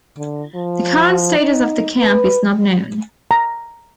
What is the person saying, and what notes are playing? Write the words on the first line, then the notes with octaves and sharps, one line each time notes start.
The current status of the camp is not known.
D3
F3
D#4
B4
A#5